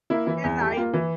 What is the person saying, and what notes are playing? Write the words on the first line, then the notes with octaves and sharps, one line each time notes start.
and I
A#3 E4
E3
E2
G3
G4
A#3 F4
E3